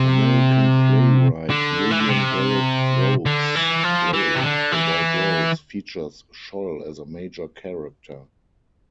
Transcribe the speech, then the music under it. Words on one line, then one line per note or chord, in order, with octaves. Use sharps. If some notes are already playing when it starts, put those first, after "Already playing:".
American playwright Lillian Garrett-Groag's play "The White Rose" features Scholl as a major character.
Already playing: C3
D3
E3
D3
C3
D3
E3
F3
E3
C3
D3
E3